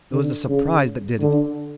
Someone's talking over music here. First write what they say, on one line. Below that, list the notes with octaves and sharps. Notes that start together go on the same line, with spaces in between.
It was the surprise that did it.
D3
C#3
D3